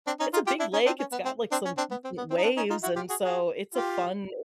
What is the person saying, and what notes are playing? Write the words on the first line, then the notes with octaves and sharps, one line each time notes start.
it's a big lake, it's got like some waves and so it's a fun
C4 D4
C#4 D#4
D#4 F4
F4 G4
D4 E4
C#4 D#4
C4 D4
C#4
B3
C4
C4 D4
C#4
C4 D4
B3
C4
B3
C4
D#4
C4 D4
C#4 D#4
D#4 F4
E4 F#4
F4 G4
F#4 G#4
F#4 G#4
F4 G4